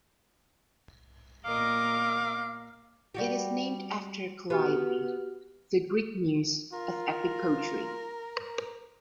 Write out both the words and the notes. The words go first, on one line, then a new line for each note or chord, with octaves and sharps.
It is named after Calliope, the Greek Muse of epic poetry.
A#2 A#4 D#5 F5 D6
G3 F#4 G4
B3 F#4 G4 F6
F4 A#4